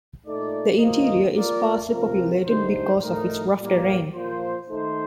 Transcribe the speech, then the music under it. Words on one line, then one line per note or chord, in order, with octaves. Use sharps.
The interior is sparsely populated because of its rough terrain.
A#2 A3 D#4 A4 D5
D#3 A#3 F4 C5 D#5
A#3 F4 A#4 D5
C3 F3 C4 F4 A#4
D3 A3 D#4 G4 C5
A2 A3 D#4 A#4
A2 G3 A#3
A#2 F3 A#3 F4 C5
D#3 A3 D#4 A4 C5